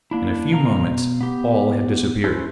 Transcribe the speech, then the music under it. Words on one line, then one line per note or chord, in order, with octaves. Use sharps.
In a few moments, all had disappeared.
A#3 D4 E4
B2 F5 A#5
B3 G4
C#4 E4 A4 B4 C5